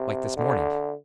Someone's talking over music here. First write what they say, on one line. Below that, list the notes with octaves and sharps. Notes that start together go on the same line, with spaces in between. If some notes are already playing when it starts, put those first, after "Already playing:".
"Like this morning."
Already playing: C3
D3